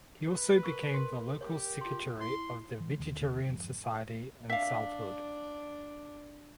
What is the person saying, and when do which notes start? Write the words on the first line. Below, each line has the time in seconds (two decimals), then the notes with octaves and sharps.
He also became the local secretary of the Vegetarian Society in Salford.
0.28 B4
0.63 A#4 A#5 C#6 E6
0.94 C6
1.41 G4 C#5
1.81 F4 C6
2.20 E4 C6
2.80 E3 G#3
2.99 D#2 D3
3.46 G#1 F2
4.50 D4 E5 F5